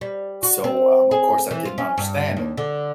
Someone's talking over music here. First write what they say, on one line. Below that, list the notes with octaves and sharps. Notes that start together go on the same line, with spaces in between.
So, um, of course I didn't understand it.
G3
F#4
C4
G#4
E3
F4
C#4
G2
D#2
D3